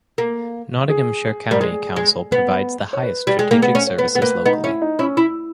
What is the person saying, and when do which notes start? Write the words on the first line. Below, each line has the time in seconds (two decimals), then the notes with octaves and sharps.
Nottinghamshire County Council provides the highest strategic services locally.
0.18 A#3
0.89 G#4
1.51 G3 A#4
1.60 G#3 G#4
1.96 G#3
2.32 B3
2.93 C#5
3.03 B4
3.27 G3 G4
3.39 G#3 G#4
3.51 A#3
3.62 B3
3.75 C#4
3.87 C#5
3.98 B3 B4
4.15 B3
4.22 A#3 B4
4.46 B3 D#4
4.64 C#4 E4
4.82 D#4
4.99 C#4 E4
5.17 E4